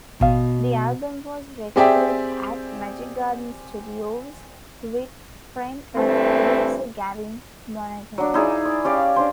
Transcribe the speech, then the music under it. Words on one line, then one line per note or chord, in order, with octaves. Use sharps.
The album was recorded at Magic Garden Studios with friend and producer Gavin Monaghan.
A1 B2 F5
C4 G4 G#4 D5 E5 G5
G2 E3 A3 C4
F#3 D4
D#4 E4 G#4 D5
D5
C#4 G4 D5 F5
D4 C5